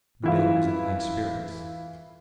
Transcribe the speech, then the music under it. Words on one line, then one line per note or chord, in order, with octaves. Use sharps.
Madame was in high spirits.
E3 E4 F4